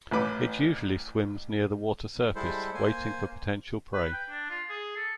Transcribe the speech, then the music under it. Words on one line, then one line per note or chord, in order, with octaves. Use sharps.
It usually swims near the water surface waiting for potential prey.
A1 A2 B4 D6
G3 G#3 E4 A4 C5
A#3 C5 G#5
B4
G5
D4
F4
G#4
A4